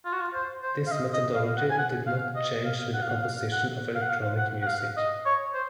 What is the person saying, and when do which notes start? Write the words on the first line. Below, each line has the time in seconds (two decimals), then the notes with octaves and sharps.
This methodology did not change with the composition of electronic music.
0.05 F4
0.12 F#4
0.21 F4
0.34 C5
0.63 C5
0.87 F5
0.91 D#5
1.13 D#5
1.35 F5
1.57 F#5
1.70 G#5
1.78 F#5
2.06 F5
2.36 D#5
2.65 F5
2.93 F#5
3.02 F5
3.10 F#5
3.22 F5
3.52 F#5
3.95 F5
4.02 F#5
4.10 F5
4.38 F#5
4.62 F#5
4.67 F5
4.97 D#5
5.25 C#5
5.54 C5